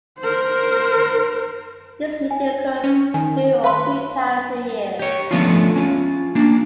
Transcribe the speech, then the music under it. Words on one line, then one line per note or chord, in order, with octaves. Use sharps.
This meeting occurs two or three times a year.
A#4 C5
G#5
C#4
D#3 G#5
B4 F5 B5 C6
G4 C#5
F3 A3 B3 C#4 D4 F4
C#4 F4
A#3 D4